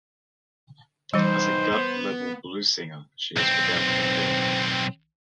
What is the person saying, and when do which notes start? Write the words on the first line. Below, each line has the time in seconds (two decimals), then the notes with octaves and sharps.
As a gut-level blues singer she is without compare.
1.14 E3 G3 D#4 B4 C5
1.72 B3
3.37 B1 C4